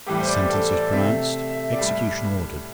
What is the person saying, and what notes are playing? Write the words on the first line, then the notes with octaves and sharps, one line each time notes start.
The sentence is pronounced--execution ordered.
A2 E3 G3 G4
C5
D5
G4
A4
D5
C3 A3 E5
E5
D5
A2 G3 E5